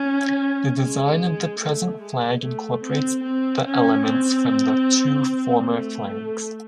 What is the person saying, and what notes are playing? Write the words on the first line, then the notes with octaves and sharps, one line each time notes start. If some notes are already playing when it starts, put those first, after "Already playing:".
The design of the present flag incorporates the elements from the two former flags.
Already playing: C#4
G#3
A3
G#3
A3
C4
C4
C#4
C4
A3